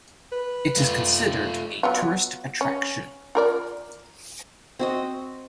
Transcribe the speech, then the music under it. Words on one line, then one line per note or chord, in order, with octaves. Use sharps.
It is considered a tourist attraction.
B4
A3 F4
F#3 B3 F4
C#4
F4 A#4 D5
C4 F#4 D#5